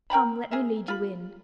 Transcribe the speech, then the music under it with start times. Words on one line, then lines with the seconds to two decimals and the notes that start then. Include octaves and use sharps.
Come, let me lead you in.
0.10 A#4 G5 A#5 B5
0.51 G#4 A#4 E5
0.88 F4 B5